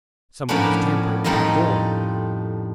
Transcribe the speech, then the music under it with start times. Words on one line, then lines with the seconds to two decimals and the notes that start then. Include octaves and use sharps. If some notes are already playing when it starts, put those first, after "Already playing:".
Someone was tampering with my door!
0.49 A2 F3 A#3 B3 C#4 D4
1.24 F2 A2 G3 D#4 F4 D#5